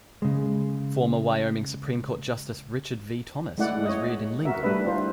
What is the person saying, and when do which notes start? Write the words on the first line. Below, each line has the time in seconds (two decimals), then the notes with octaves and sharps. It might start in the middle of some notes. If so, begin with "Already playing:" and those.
Former Wyoming Supreme Court Justice Richard V. Thomas was reared in Lingle.
0.22 C#3 G#3
3.58 G#3 A3 E4 D5 F#5
3.86 C#5 D#5
4.45 F#4 A#4 E5
4.63 G3 A3 D4 B4 E5
4.84 D4 E4 F4 C5